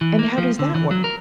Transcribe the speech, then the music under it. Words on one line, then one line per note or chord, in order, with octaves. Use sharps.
"And how does that work?"
E3
A#3
F3
D3
E3
F#3
A#4